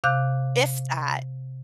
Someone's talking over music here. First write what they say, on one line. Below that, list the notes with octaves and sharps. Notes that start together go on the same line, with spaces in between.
If that
C3 F5 D6 F#6 G6